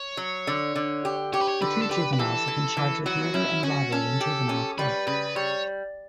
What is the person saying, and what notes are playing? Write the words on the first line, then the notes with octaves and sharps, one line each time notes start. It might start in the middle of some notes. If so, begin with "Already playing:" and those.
The two juveniles have been charged with murder and robbery in juvenile court.
Already playing: C#5
F#3
D3
D3
G4
G4 C#5
B4
C#5
D3 B4
A4
G4 B4
B4
E3 A4
E3
E3
F#3 F#4
C#4 E4
C#4 F#4
C#4 A4
G4
C#4
G3 B4
C#3 B4
G3 C#5